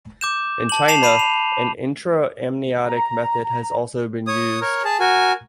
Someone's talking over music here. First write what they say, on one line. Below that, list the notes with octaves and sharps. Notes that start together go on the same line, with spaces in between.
In China, an intra-amniotic method has also been used.
D6 G6 E7
A5 F#7
A5 C7 E7 F7
B5 C7 D#7 F7
F7
A#5
C#5 D#6
A#4 C#5
G#4 A5
F#4 A#4 G#5